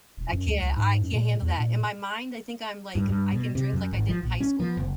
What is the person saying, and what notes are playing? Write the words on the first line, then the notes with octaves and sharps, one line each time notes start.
I can't I can't handle that. In my mind, I think I'm like, I can drink like I did in high school,
E1
F#2
D2
C#2
G#2
F#2
A#2
E2
A#2
G2
G2
B2
C3
F#2
G#1
F3
A#1
C#4
F3
F#1